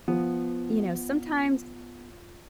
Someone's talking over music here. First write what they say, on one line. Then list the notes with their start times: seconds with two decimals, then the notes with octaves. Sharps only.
you know, sometimes
0.08 F3 B3